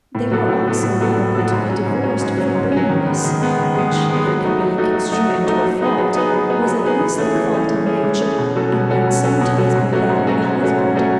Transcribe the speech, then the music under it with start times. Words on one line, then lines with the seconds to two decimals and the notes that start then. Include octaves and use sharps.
They were also liable to be divorced for barrenness, which, if it could be construed into a fault, was at least the fault of nature, and might sometimes be that of the husband.
0.15 A2
0.31 F#3 B3 F#4 A4
0.49 A2
0.66 F#3 B3 F#4 A4
0.83 A2
1.01 F#3 B3 F#4 A4
1.18 A2
1.35 F#3 B3 F#4 A4
1.52 G#2
1.69 F#3 C#4
1.86 G#2
2.04 F#3 C#4
2.21 G#2
2.38 F#3 C#4
2.55 G#2
2.72 F#3 C#4
2.89 D#3
3.06 G#3 B3
3.24 D#3
3.41 G#3 B3
3.58 D#3
3.75 G#3 B3
3.92 D#3
4.09 G#3 B3
4.26 F#3
4.44 A3 D#4 F#4
4.61 F#3
4.78 A3 D#4 F#4
4.95 F#3
5.12 A3 D#4 F#4
5.29 F#3
5.46 A3 D#4 F#4
5.64 F#3
5.81 B3 D#4 G#4 B4
5.98 F#3
6.15 B3 D#4 G#4 B4
6.33 F#3
6.50 B3 D#4 G#4 B4
6.67 F#3
6.84 B3 D#4 G#4 B4
7.01 E3
7.18 A3 C#4 G#4
7.35 E3
7.52 A3 C#4 G#4
7.70 E3
7.86 A3 C#4 G#4
8.03 E3
8.21 A3 C#4 G#4
8.38 B2
8.56 F#3 C#4 F#4 A4
8.72 B2
8.90 F#3 C#4 F#4 A4
9.07 B2
9.24 F#3 C#4 F#4 A4
9.41 B2
9.58 F#3 C#4 F#4 A4
9.75 G#2
9.92 F#3 A3 C#4 F#4
10.10 G#2
10.27 F#3 A3 C#4 F#4
10.44 G#2
10.61 F#3 A3 C#4 F#4
10.78 G#2
10.95 F#3 A3 C#4 F#4